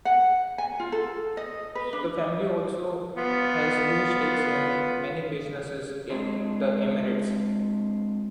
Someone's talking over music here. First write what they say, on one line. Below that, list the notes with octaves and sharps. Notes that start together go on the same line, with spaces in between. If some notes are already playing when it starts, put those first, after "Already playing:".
The family also has huge stakes in many businesses in the Emirates.
F#5
G#5
F4
A4
D#5
B4
D4
B3 F4
G#3 C4 D4 F4 G#4